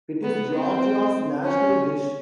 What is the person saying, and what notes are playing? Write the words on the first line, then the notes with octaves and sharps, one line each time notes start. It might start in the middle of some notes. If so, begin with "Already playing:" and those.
It is Georgia's national dish.
B3
C4
C#4